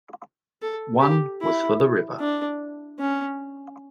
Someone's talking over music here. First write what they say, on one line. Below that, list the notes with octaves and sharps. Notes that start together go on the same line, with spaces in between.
One was for the river.
A4
G4
E4
D4
C#4